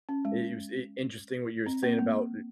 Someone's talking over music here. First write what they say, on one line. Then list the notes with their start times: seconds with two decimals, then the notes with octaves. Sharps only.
It it was i interesting what you were saying about,
0.09 C#4
0.25 G#3
1.66 C4
1.83 A#3
1.93 C4
1.99 A#3